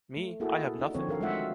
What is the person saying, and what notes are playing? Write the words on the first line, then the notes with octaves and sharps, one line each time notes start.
Me, I have nothing!
A3
A#3 E4 F#4 G#4 A4
D4 D#4
D3 F3 C4 C#5
D#3 A4 A#4 F5
F#3 G#3 A3 F4 E5 F#5